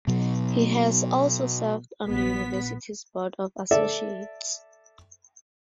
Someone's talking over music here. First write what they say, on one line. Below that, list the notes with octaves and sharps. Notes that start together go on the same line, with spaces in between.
He has also served on the university's Board of Associates.
B2 F#3
A#1 B3 B6
A4 D5 E5